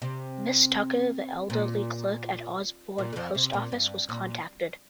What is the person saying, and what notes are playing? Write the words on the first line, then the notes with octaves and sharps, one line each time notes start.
Miss Tucker, the elderly clerk at Osborne Post Office, was contacted.
C3
A#2
A#2
D3
F2 F3
C3
A#2
G2
A#2